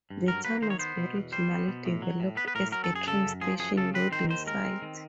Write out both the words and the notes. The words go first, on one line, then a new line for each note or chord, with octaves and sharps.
The town was originally developed as a train station loading site.
G2
F#3 A#4
A#3 B4
D#3 C5
C#5
B3 C5
B2
E2
G3 C5
B3
B2
A2
F#3
A2
B3 B4
B4
A2 A#4
F#3 A#4
A4
F#2
G#4
C#3 A4
F#2
F3 G#4
F#2 G#4
C#3 A4
C4 B4
D#3 C5
D#2 C5
G#3 A#4
C4
D#3